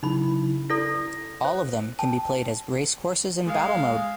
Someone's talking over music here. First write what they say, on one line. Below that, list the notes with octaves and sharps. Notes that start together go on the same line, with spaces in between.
All of them can be played as race courses in Battle Mode.
C#3 F#3 D#4 E4 B5
E4 A4 D5 A#6
C5
G5 A5
G#3 F5